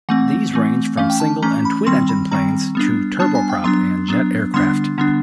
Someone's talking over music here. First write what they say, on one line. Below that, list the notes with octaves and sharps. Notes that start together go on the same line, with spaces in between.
These range from single and twin engine planes to turboprop and jet aircraft.
E3 A3 C4 F#5
E3 A3 C4
E3 A3 C#4 F5
G5
A5
E3 A3 C#4 A#5
B5
D#3 G3 C4 C6
B5
D#3 G3 C4 A#5
G3 B3 D4
G3 B3 D4 A5
G#5
G5
F#3 B3 D4 C6
F#3 B3 D4
D3 G3 B3 D4 C6
D3 G3 B3 D4